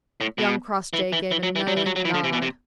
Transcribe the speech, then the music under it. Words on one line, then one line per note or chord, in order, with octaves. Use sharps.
Young Crossjay gave a knowing nod.
A2
B2
E3
E3
E3
F#3
E3
F#3
E3
F#3
F#3
E3
D3
C3
B2
C3